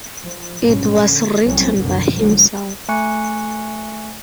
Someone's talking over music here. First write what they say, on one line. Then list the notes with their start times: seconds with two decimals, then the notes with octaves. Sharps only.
It was written by himself.
0.22 F3
0.60 A#1 G#2 B2 G3 C#4
1.03 A#2 D3
1.44 C2 F#3 A3 C4 C#4
1.76 F1 C2 F#2 B2 D3 D#3
2.11 B1 F#2 D3 F3 F#3 G#3
2.89 A3 G#5 C#6 F#6 C#7